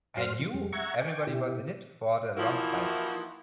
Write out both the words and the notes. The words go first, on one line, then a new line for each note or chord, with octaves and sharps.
I knew everybody was in it for the long fight.
F#2 F#4 C5 C6 F6
C3 F3
F2 G3 G#3
E5 F#5 A#5 C#6 G#6
G5 G#5 C#6 D6
B2 E4 G4
E3 F3 A#3 D#4 E4 F#4